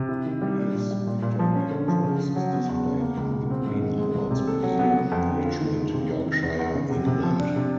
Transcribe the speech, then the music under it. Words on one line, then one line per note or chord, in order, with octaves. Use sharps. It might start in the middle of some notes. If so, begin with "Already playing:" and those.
His Victoria Cross is displayed in the Green Howards Museum, Richmond, Yorkshire, England.
Already playing: C3
E4
D#3
G3
D4
A#2
G3
A#2
A#2
F3
C#4
D3
F3
C#3
C#3
F#3
B3
E2
C#3
A#3
C#2
B2
C4
G#2
D#3
G#3
C2
C3
A4
F#3
B3
B3
F2
D3
F4
D#3
G#3
C3
C3
D#3
E2
E2
C#3
C3
C3
F3
D4
C3